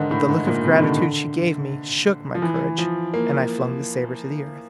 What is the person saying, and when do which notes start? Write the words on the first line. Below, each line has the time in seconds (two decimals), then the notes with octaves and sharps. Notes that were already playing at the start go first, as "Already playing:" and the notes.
But the look of gratitude she gave me shook my courage, and I flung the sabre to the earth.
Already playing: G#2 D3 D#3
0.11 A2
0.29 G#2
0.47 A#2
0.65 C3
0.76 D#3
0.82 D3
2.35 F3
2.42 E3
2.78 F3
3.14 A#3